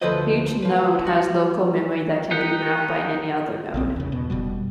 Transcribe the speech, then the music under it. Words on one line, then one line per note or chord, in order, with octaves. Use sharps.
Each node has local memory that can be mapped by any other node.
D2 F3 A4 B4 C5 D#5
F3 B4
F#4
D#4 G4 A#4 F#5
A#1 D#3 C4
E2 C#3
B2
F1 B2 G3